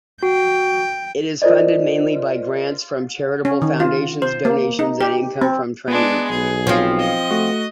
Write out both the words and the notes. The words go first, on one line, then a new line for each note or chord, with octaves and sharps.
It is funded mainly by grants from charitable foundations, donations and income from training.
F#4 G5
F4 A#4 C5 D5 D#5
C#4
D#3
F4
C5
A#3
D#4
G4
C4
G#3 B3 D4
B1 G#4
F3 C4 C#5 F5
D#5
A3 F#4